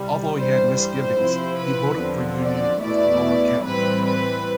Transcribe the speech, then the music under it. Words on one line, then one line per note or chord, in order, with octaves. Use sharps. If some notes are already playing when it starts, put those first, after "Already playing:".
Although he had misgivings, he voted for union with Lower Canada.
Already playing: C2 C3 G3
G2 E3 G3 C5
C5
C3 F3 C4 E4
B4
E2 D3 F3 C4
D5
E2 B2 A3 E4 D5
A2 E3 G3 C4 B4
B4